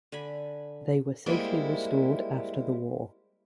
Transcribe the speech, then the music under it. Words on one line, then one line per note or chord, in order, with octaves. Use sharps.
They were safely restored after the war.
D3 G#5 B5
G3 G#3 A#3 C4 E4